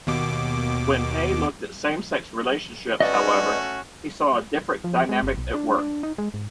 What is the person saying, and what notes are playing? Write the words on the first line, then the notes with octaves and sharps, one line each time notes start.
When Hay looked at same-sex relationships, however, he saw a different dynamic at work.
D#2 B2 D6
A3 C#4 F#4 B4 D5 D#5
F3
G#3
G1
B1
D4
D4
D#4
G#3
G#2